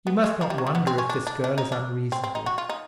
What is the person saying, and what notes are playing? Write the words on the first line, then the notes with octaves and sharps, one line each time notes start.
You must not wonder if this girl is unreasonable.
B3
G#3
F3
G3
F#3
G3
B3
C4
C#4
D4
D4
D4
D#4
D4
C4
C4
D#4
F#4
F4
D#4